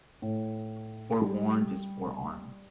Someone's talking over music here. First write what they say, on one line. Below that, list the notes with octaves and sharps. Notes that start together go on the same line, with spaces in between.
Forewarned is forearmed.
A2
G3